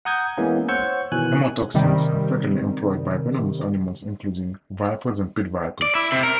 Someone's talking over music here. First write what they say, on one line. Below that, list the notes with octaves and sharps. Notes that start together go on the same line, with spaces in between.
Hemotoxins are frequently employed by venomous animals, including vipers and pit vipers.
F#5 A#5 D#6 G6 G#6
E3 G#3 A#3 B3 C#4
C5 C#5 F#5 C#6 E6 G6
B2 D#3 E3 G#5 F#6
C3 D#3 G3
D5
E4
C3
A#4